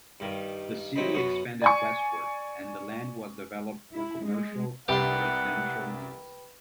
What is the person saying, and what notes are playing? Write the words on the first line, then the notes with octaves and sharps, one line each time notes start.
The city expanded westward, and the land was developed for commercial and residential needs.
G2 D#3
C2 F#3 C4 D#5 B5
F#2 B3 F#4 D#6
D5 G#5 C#6
E4
G#3
C2 G4 B4 F#5 G5 B5 C6